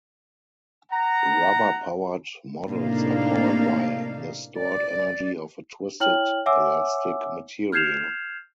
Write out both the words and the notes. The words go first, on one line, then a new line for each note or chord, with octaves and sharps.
Rubber-powered models are powered by the stored energy of a twisted elastic material.
F#5 A#5
A2 C3 A#3 D4 D#4 F5
D5
E4 C#5 G5 F6 F#7
C#5 E5 F#5 G#5 D6 E6
F6 G6 G#6 C7 E7 F7